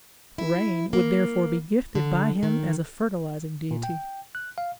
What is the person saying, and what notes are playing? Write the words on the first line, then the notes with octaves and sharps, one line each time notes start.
Rain would therefore be gifted by him as a fertilizing deity.
E4
A#3
D3
D#3
A#2
G5
F#6
F5